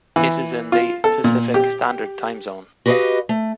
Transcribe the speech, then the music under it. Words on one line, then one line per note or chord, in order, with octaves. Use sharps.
It is in the Pacific Standard Time Zone.
E3
F4
A4
A#2
G4
F#4 G4 B4 C5 D#5 F5
A3